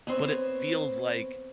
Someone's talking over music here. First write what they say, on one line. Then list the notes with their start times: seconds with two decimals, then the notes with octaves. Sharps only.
but it feels like
0.07 B3 C4 C5 C#5